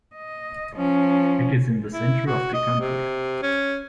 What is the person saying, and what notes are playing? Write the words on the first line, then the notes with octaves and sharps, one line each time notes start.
It is in the centre of the country.
D#5
F3 C#4
E4
F#4
D#5
C3
C#4